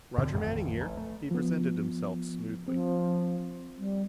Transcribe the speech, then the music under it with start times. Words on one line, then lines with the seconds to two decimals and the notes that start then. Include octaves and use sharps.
"Roger Manning here," he presented himself smoothly.
0.18 A2 D3 C4
0.34 A1 F2 D#3
0.80 A1
0.97 A3
1.31 F3 B3
2.68 F3 C4
3.78 G3